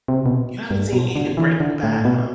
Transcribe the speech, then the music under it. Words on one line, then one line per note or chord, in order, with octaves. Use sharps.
You haven't seen even Breaking Bad, huh?
C3
B2
G2
B2
D3
E3
D3
A2
B2